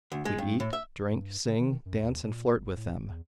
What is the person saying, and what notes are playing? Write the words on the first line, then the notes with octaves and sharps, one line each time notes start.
We eat, drink, sing, dance, and flirt with them.
D2
G#3
G2
A2
E5
G2
C#3
D#3
F#2
D#2
A#2
G1
A2
D1
E2